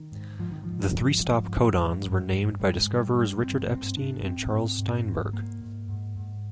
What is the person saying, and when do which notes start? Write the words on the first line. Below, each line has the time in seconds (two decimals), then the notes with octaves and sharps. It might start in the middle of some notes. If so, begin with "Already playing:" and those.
The three stop codons were named by discoverers Richard Epstein and Charles Steinberg.
Already playing: D#3
0.12 G#2
0.39 G#2 F3
0.52 D#3
0.64 G#2 F3
0.95 G#2
1.22 G#2
1.49 G#2
1.77 G#2
2.04 G2
2.32 G2
2.60 G#2 G3
2.78 G#3
2.87 G#2
2.95 G3
3.14 G2 G3
3.42 G2 C4
3.64 A#3
3.69 G#2 C4
3.96 G#2 D4
4.24 G#2 C4
4.51 G#2
4.78 G#2
5.06 G#2
5.33 G#2 A#3
5.61 G#2
5.89 G#2
6.16 G#2